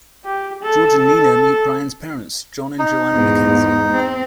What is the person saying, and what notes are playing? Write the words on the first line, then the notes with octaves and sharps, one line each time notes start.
George and Nina meet Bryan's parents, John and Joanna MacKenzie.
G4
A4
D#4
E2 G#2
C4